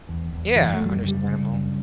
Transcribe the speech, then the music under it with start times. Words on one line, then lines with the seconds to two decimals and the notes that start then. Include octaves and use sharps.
Yeah, understandable.
0.09 E2
0.33 E2
0.56 F#2 E3
0.74 A3
0.79 F#2
0.86 F#3
0.91 G3
1.04 C#3 G3
1.27 C#3
1.51 F#2